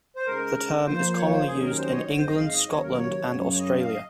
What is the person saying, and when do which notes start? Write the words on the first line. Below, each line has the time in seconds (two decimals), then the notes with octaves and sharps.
The term is commonly used in England, Scotland and Australia.
0.16 C5
0.27 C#3 G#3 D#4 G#4 A#4
0.86 F3 A#3 F4 A#4 C5
1.18 C#5
1.33 C5
1.47 D#2 D#3 F#3 C#4 G#4
1.62 A#4
1.78 C5
1.89 D#5
1.92 C#5
2.08 F#2 C#3 G#3 C4 D#4
2.18 C5
2.27 D#5
2.38 F5
2.52 D#5
2.68 D#2 C#3 F#3 C#5
2.83 A#4
2.98 C#5
3.28 F#2 C#3 F#3
3.55 C#5
3.59 D#5
3.80 F5
3.88 D#5